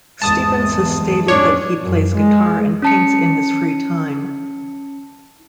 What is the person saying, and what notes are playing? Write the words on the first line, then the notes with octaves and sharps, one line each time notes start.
Stevens has stated that he plays guitar and paints in his free time.
G#1 E2 G#3 A5 D#6
F2 A2 C#4 D4 C#5
F#2
G#3
C#4 A5 C#7